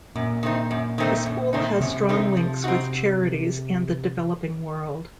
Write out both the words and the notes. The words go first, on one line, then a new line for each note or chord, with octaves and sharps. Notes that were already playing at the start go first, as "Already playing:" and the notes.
The school has strong links with charities and the developing world.
F#2 A#2
D#3 A3 C4 D#4
F#2
D#3 A3 C4 D#4
F#2
D#3 A3 C4 D#4
F#2 C3
D#3 A3 C4 D#4
F3
C4 D#4 F#4